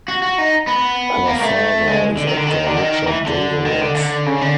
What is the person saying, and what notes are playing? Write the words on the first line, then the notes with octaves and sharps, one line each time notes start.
Her father is actor Richard Davalos.
F#4
F#4
D#4
B3
A#3
A3
G#3
D3
D#3
D3
D#3
D3
D#3
E3
D3
D#3
D3
D3
C#3
D3